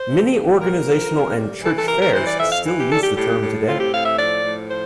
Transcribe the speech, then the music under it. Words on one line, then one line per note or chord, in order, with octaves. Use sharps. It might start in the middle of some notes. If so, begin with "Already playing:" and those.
Many organizational and church fairs still use the term today.
Already playing: C5
A3
A#2
A#2 A#4
F3
C3
G3
E3 A4
A4
C3 A#4
A#4
E3 C5
D5
F2 E5
F5
E3
G4
G3 A4
G4
A2 G4
A2
C4 F4
G4
A2 F5
E5
F3 D5
A2
F3 C5